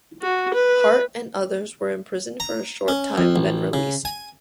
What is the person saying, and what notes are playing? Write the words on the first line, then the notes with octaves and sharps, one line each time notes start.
Hart and the others were imprisoned for a short time, then released.
F#4
B4
A#5
C#4
F2
A1
C#3
G#5